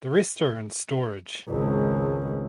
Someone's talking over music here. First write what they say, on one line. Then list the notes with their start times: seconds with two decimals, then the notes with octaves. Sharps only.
The rest are in storage.
1.49 G#1 C#2